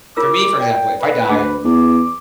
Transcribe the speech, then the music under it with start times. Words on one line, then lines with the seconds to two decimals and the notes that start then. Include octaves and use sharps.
for me, for example, if I die
0.16 F4 A#4 D6 E6
0.60 D5 G5
1.00 B4
1.29 D2 G#4
1.64 E2 D6